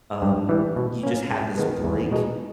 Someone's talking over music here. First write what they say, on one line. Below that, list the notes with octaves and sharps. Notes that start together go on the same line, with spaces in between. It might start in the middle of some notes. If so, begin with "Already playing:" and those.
um, you just have this break
G2
E3 G3
B2
A#3 C#4
G#2
D#3 G#3 B3
E2
B2 G#3 D#4